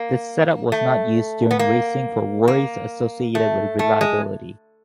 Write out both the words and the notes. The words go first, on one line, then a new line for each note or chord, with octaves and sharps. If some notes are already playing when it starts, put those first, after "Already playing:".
This setup was not used during racing for worries associated with reliability.
Already playing: A#3
A3
B3
A#3
A#3
A3
A3
G#3